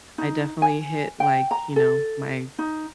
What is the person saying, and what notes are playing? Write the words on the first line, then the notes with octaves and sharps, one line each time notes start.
I definitely hit, like, you know, my
D#4
G#5
G5
A#5
A4
D#4